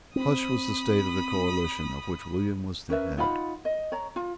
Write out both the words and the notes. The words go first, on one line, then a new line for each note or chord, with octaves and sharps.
Such was the state of the coalition of which William was the head.
C4 B5 D#6
C#4 A#4 B4 E5
D#4 F4 F#5 B5
D#5
C#5 A#5
F4